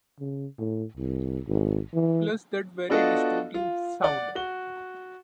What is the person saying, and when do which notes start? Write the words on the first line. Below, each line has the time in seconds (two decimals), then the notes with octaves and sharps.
Plus that very distinctive sound.
0.20 C#3
0.58 A2
0.97 C2
1.47 G#1
1.94 E3
2.89 B3 D4 F4 F#4 A4 D#5
3.54 F4
4.02 D5 F#5
4.35 F#4 G7